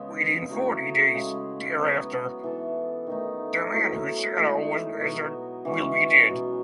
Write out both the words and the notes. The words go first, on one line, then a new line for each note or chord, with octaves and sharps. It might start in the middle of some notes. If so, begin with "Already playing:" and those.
Within forty days thereafter the man whose shadow was measured will be dead.
Already playing: C#3 G#3 B3
F#3 A3 E4 G#4
C#3 G#3 C#4 G#4
F#3 B3 F#4
E3 B3 E4 A4
D#3 A3 D#4
A2 F#3 A3 E4
A2 G#3 D#4 G#4
B2 F#3 B3 F#4
E3 G#3 C#4
B2 F#3 B3 F#4